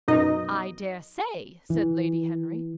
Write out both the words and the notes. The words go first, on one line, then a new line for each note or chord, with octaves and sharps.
"I dare say," said Lady Henry.
F#2 B2 D#4 D#5
E3